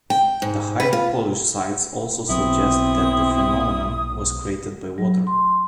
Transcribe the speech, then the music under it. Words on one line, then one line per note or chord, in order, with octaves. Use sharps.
The highly polished sides also suggest that the phenomenon was created by water.
G5
G#2
B4
F4
B1 F#3 B3 C4 E4 D#6
F#3
C6